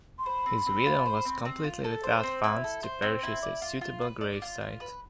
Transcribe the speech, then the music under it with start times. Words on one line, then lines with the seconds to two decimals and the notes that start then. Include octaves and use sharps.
His widow was completely without funds to purchase a suitable gravesite.
0.19 C6
0.26 C5 B5
0.46 C4
0.66 C4
0.86 F4
1.06 C5
1.25 C4
1.45 C4
1.64 F4
1.84 A4
2.04 C5
2.23 C4
2.44 E4
2.64 A4
2.83 C5
3.02 C4
3.23 E4
3.42 D5
3.62 F4
3.81 F4
4.02 B4
4.21 D5
4.42 F4
4.61 F4
4.80 B4